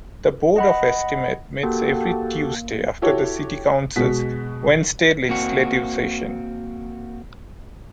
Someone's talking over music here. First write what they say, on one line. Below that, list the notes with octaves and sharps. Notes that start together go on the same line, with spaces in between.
The Board of Estimate meets every Tuesday after the city council's Wednesday legislative session.
D#5 F#5 B5
A#3 F#4 G4 A4
E4 F#4 G4 A4 C#5
B2 G#3 F#4 B6
A#3 C4 F#4